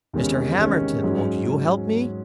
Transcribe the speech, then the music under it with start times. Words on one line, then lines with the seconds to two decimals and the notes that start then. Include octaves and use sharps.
"Mr. Hamerton, won't you help me?"
0.13 E2 C3 D#3 G#3 C#4
0.58 E2 C3 D#3 G#3 C#4
1.02 G#2 F#3 C#4 G#4